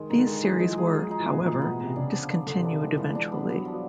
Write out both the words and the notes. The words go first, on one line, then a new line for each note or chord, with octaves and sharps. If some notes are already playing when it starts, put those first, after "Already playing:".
These series were, however, discontinued eventually.
Already playing: D#3 G#3
D3 D#4
D#3
G#3
E3 G#4
F#3 G#3
F3
G#4
F#3 G#4
F3 D#4
E3
B2 G#4
A2
A#2 G#4
B2
B3
B2
C3 B3
C3
C#3 D4
F3
D4
D3 F3
C3
D4
C3
D#3 G#3
E3 F3
D4
B3
G3
F#3 B3
F3
F#3